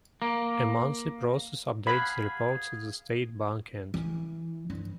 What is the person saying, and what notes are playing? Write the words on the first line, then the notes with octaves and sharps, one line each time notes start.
A monthly process updates the reports at the State Bank end.
A#3
G#4 F5 F#5 B5
E3
G2